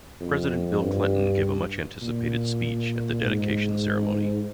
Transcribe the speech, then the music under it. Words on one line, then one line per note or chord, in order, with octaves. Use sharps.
President Bill Clinton gave a much-anticipated speech at the dedication ceremony.
F2
G2
A#2
G#2